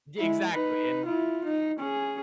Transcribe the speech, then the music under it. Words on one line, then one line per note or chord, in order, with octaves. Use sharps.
Yeah, exactly, and
G#3 E4
D#4 B4
E4 F4
D#4
C#4 G#4